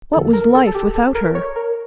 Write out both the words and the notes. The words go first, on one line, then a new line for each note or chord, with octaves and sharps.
What was life without her?
E2 D3 F3 A4
A#4
A4
A4
G4
A4
A#4
C#5
A#4